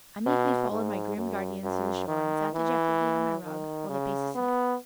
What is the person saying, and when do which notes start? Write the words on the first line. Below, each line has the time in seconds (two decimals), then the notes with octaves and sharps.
I meekly followed my grim guardians to the shore and sat dejectedly on my rug while they paced the sand.
0.26 B2
0.71 G#2
1.17 F#2
1.63 F#2
2.08 D#3
2.54 E3
3.44 D#3
3.89 C#3
4.35 B3